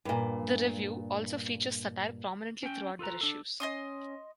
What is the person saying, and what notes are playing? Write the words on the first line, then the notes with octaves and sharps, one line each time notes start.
The "Review" also features satire prominently throughout their issues.
G2 A#2
C#4 G5
F4 A4 B4 A#5
D4 A4
C#4 D#5 C6 D#6